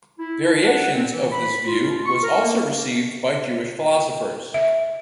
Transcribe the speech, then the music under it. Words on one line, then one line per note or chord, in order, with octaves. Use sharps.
Variations of this view was also received by Jewish philosophers.
E4
D4
F#5
C4
E3
B5
F4
C#6
A#4
A#3
E5